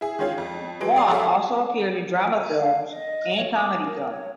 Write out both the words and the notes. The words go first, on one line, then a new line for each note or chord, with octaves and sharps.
Yung also appeared in drama films and comedy films.
E4 G#4
D#3 G#3 C#4 F4
F2
E3 F#3 G#3 D7
D5 C6 D#6 C7
F#4 G#4 A4 C#5 E5 F5
G#5
F5
D#5
C#5
D6
A#4
C#5